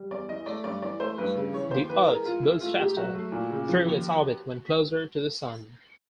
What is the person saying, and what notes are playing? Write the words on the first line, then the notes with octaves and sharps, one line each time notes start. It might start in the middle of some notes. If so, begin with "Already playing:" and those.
The earth moves faster through its orbit when closer to the sun.
Already playing: G3
E2 D5
E3 D#5
A3 D5
G2 D5
E3 D5
A3 C5
G2 B4
C#3
E3 C#5
D#2 C5
E3 B4
G#3 A#4
G#2 F4
E3 E4
A3 F4
G#2 G4
F#3 F#4
A3
A#2
C#3
F3
D#2